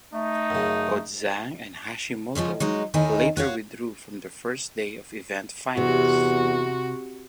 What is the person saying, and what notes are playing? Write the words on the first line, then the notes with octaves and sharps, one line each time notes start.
Both Zhang and Hashimoto later withdrew from the first day of event finals.
A3 D#4
F#2 C#3
C#3 F3 G#3 C#4
F#3 G#3 D#4
D#2 D#3 D#4 E4 A4 G#5
F#4 C#5 F5
E2 C3 F#4